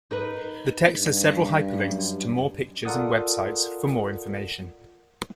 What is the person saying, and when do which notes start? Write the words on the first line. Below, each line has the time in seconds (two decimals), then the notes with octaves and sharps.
The text has several hyperlinks to more pictures and websites for more information.
0.11 D#4 A#4 B4
0.96 G2
1.78 F#2
2.85 F4 A4 A#4 D5 F#5 D#6